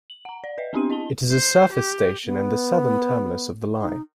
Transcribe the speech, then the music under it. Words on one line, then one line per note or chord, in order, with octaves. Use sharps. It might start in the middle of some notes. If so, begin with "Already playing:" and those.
It is a surface station and the southern terminus of the line.
F#7
F#5 A#5
D5
B4 D#5 E5
B3 C4 D4 G4 C6 D#7
E4 D#5 A5 G7
C5
G4
B3
D#4